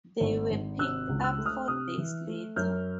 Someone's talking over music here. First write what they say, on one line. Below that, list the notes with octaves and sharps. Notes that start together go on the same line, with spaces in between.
They were picked up four days later.
G#1
G#1
C3 E6 F#6
C#2
E6 F#6
A3
D#6 F6
C3 D#6 F6
E3
A3
F#2 F6 G6